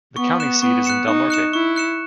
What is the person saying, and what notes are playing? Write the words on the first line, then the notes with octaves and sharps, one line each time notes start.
The county seat is Del Norte.
B3 C#6
F#6 C#7 E7
B3 C#6
F#6 C#7 E7
D#4 C#6
F#6 C#7 E7
E4 C#6
F#6 C#7 E7